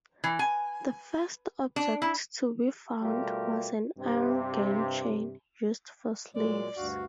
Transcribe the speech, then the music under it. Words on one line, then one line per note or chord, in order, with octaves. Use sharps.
The first object to be found was an iron gang chain, used for slaves.
E3
G#5
D4
E4
B2 G3 A3 F4 G4 A#4
G2 C3
A#2 F#3 G#3 D5
D2 G2 F#4 F5